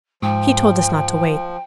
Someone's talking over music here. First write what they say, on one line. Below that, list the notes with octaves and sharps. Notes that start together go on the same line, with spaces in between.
He told us not to wait.'
G#2 F3 G5